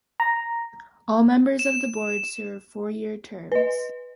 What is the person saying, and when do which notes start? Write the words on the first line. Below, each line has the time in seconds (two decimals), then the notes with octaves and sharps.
All members of the board serve four-year terms.
0.20 A#5
1.59 E7
3.52 B4 D#5